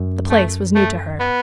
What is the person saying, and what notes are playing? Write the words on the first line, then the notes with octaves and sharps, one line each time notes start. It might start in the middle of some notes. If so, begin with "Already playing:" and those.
The place was new to her.
Already playing: F#2
A3
A3
B3